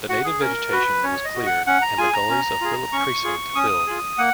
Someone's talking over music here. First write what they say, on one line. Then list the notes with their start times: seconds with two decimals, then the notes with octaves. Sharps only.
The native vegetation was cleared and the gullies of Phillip Precinct filled.
0.09 F#4 F#5
0.25 G#4
0.41 C#4 A#4
0.72 F#4 B4
1.03 C#4 C#5
1.25 D#5
1.35 F#4
1.46 F#5
1.66 C#4 F#5
1.82 A#5
1.98 F4 G#4 G#5
2.14 A#5
2.30 C#4
2.61 F4 G#4
2.92 C#4 C#6
3.24 F4 G#4
3.55 C#4 D#6
3.87 F4 G#4
4.18 A#3 F#5